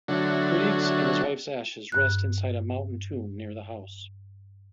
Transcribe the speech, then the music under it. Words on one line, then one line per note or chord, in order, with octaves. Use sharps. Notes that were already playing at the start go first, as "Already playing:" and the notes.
Grieg's and his wife's ashes rest inside a mountain tomb near the house.
D3 F#3 A3 D4 F#4 C#5
G2 F#6